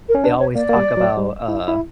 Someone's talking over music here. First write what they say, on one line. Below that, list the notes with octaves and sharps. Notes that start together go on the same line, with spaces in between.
they always talk about, uh,
A#4
C#4
D4 B4
C#5
A#3 D5
A#3
G3
F#3
G3
E4
E4